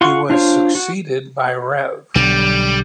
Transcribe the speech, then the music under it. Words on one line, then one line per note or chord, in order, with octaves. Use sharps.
He was succeeded by Rev.
F4 F#5 C6 C#6
D4 F4 C5 C#5
F#4
B1 D3 G3